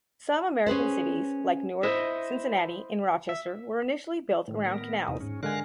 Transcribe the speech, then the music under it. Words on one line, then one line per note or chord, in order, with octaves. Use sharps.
Some American cities, like Newark, Cincinnati and Rochester, were initially built around canals.
C#4 G#4 B4 C5
E4 C5 D#5 E5
E5
A2 D#3
B3 A#4
E2 C3 D#4
G#2 C#4
D3 G#3 A#4 F5 G#5 F#6